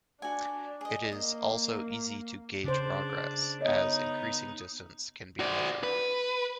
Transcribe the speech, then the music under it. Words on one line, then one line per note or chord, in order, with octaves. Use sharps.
It is also easy to gauge progress, as increasing distance can be measured.
D4 F#4 G#5
G#4 D#5
A#3 D#5
C#3 D4 C5
B3 D#4 C#5 D#5
F#4 D5
B4